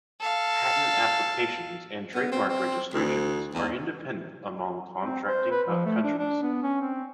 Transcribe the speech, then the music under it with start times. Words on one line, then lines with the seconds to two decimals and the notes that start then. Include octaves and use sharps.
Patent applications and trademark registrations are independent among contracting countries.
0.20 A4 F5
2.15 B3
2.32 C4
2.49 C4
2.94 D2
3.54 E2
5.03 C4
5.28 C5
5.51 B4
5.68 F3
5.85 A3
6.03 D4
6.19 D4
6.43 B3
6.63 C#4
6.82 C4